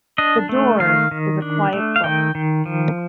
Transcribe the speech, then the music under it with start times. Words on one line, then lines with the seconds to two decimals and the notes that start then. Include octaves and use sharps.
"The Doors" is a quiet book.
0.18 D4 D#5
0.49 A3
0.80 D#3 F5
1.11 D#3
1.42 D4
1.73 A3
1.96 F5
2.04 D#3 G5
2.35 D#3
2.66 F3